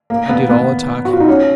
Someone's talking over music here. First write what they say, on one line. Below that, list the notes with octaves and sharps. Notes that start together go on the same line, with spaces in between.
I did all the talking.
A#3
B3
B3
F#4
F4
D#4
C#4